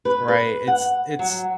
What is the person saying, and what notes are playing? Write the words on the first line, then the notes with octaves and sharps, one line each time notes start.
Right. It's it's
B4
B4
F#5
F#3